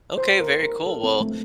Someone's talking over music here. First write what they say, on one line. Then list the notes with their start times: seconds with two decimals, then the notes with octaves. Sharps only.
Okay, very cool. Well,
0.18 C5
0.40 A#4
0.63 A#4
0.87 A4
1.03 C4
1.21 A3